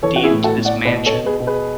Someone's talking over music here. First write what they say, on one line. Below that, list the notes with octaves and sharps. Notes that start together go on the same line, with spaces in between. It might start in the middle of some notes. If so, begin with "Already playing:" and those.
deed to this mansion."
E3 A4 C#5
F#4
E4 G#4
A2
F#4 A4
A2
D5 F#5
B2 B4 D5
A4 C#5
B2
G#4 B4
B2
G#4 B4